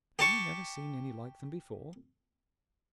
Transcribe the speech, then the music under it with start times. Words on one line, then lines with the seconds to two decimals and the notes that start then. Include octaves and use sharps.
"Have you never seen any like them before?"
0.19 G4 A5 C#6